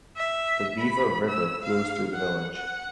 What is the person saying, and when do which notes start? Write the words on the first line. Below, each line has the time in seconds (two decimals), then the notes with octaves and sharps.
The Beaver River flows through the village.
0.17 E5
0.78 B5
1.28 E6
1.63 F5
2.14 F#5
2.57 F#5